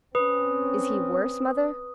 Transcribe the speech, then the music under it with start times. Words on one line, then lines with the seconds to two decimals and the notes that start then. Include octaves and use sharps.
"Is he worse, mother?"
0.15 C4 C#4 B4 D#6